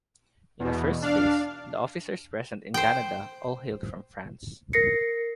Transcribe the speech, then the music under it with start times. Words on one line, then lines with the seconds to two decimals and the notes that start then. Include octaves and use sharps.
In a first phase, the officers present in Canada, all hailed from France.
0.60 E2 B2
1.02 D4 F5
2.74 C5 G5
4.73 A#4 A#6 C7 C#7